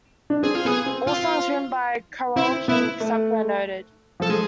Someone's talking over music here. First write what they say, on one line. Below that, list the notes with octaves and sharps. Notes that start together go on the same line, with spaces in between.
All songs written by Carole King, except where noted.
D4
C4 G#4
F4
B3 G#4
C4
F4
C4 E4
B3 E4
A3
F3 A4
G#3 G#4